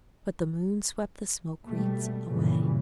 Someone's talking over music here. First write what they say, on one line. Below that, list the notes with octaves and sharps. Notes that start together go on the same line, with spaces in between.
But the moon swept the smoke-wreaths away.
B2 G3 A3
G2 A#2 C#3 E3 F3